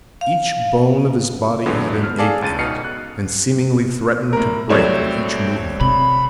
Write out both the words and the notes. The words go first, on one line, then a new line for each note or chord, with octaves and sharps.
Each bone of his body had an ache in it, and seemingly threatened to break with each movement.
F5
E2 D3 F#3 G#3 B3
F6
G#4 A4 D5 F5
C#2 C#3 A6 D#7
G1 B2 D#4 F6 C7 C#7
F#6
A2 A#4
C2 F#3 A3 C4 C#5 D5
C3 B5